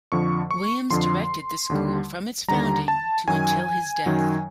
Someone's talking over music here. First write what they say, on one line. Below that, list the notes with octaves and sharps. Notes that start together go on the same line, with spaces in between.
Williams directed the school from its founding to until his death.
F2 D3 F3 C#6
C#6
F2 D3 F3 C6
D#2 D3 G3
D#2 D3 G3 A#5
A5
F#2 D#3 F#3 G#5
F#2 D#3 F#3